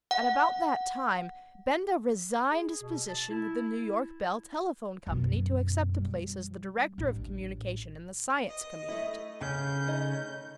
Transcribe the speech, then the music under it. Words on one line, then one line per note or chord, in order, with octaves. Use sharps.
At about that time Benda resigned his position with the New York Bell Telephone Company to accept a place as the Director of Communication in the Science Community.
F#5
G#4
B2
A5
E4
F#2 B2
G3
A1 D4
D#5
A3 E4
C#3 C#4 G6
A3 D#4 D#5